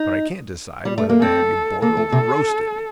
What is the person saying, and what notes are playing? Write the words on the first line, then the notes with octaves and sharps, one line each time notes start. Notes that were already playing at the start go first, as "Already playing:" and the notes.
But I can't decide whether to have you boiled or roasted.
Already playing: D#4
G3
A3
A#3
C4 A4
A#3 A4
A3
C3